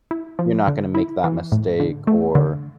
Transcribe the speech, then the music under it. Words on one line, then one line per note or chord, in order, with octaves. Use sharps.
you're not gonna make that mistake or
E4
F3
D3
E4
E3
A2
D3
A3
D3